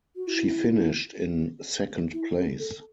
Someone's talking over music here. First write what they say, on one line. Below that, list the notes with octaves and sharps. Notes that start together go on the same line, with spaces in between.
She finished in second place.
F#4
E4
E4
A4
A4